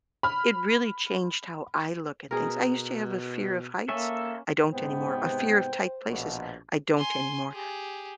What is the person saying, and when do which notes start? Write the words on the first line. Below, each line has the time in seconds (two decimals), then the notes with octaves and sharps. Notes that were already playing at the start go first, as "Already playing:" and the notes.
it really changed how I look at things. I used to have a fear of heights. I don't anymore. A fear of tight places. I don't anymore.
0.23 B5 F6
2.31 B2 G#4 A#4
3.88 A#3 C#4 A4 E5
4.74 G#2 C3 B3 C5 G5
6.08 A#1 B2
6.98 G#5 C6
7.52 G4 G#4